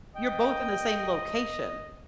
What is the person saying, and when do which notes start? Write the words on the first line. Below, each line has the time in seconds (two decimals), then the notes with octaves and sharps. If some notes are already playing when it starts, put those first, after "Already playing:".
You're both in the same location.
0.16 D#5 G5